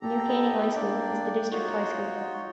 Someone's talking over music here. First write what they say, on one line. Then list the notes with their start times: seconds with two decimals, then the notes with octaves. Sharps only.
New Caney High School is the district high school.
0.01 G4 A4 A#5
0.28 E4 D#5
0.76 A#3 D4 D5 G5
1.51 D#4 F4 F#4 C#5